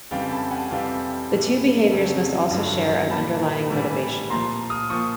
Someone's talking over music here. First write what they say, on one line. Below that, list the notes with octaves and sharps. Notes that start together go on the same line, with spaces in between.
The two behaviors must also share an underlying motivation.
F2 C#3 E3 G3 F5 G5
A5 B5
F#5 G#5
F2 C3 E3 G3 F5 G5
A2 E3 G3
F2 C#3 F#3
G2 D3 F#3
A#2 G3 A5 B5
A2 E3 G3
A#2 F3 A#5 C6
D#6 F6
A#2 F3 C#6 D#6